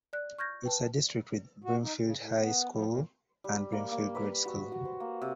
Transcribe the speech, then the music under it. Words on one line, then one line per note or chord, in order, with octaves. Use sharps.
It is a district with Brimfield High School, and Brimfield Grade School.
D5 F#6
C#6 F6 G6 G#6 A#6
B4 G5 A5
F#4
D#4
C#3
A2
B3
F3
A#2
G3
A#3
A#3
B4
F#4
F#4
C5
A#3
C3